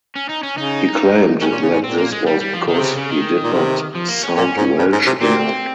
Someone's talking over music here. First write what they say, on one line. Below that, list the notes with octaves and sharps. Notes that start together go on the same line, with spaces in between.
He claimed that this was because he did not sound Welsh enough.
C#4
D#4
C#4
C#3 D#4
D#3 C#4
A#2
C#3
G#2
A#2 C4
A#3
G#3
G3
G3
F3
C3 D#3
C#3
C#3
D#3
A#2
C3
F3
A#3
C#4
A#2 C#4
G#2
G2
G#2
C3
A#2 C4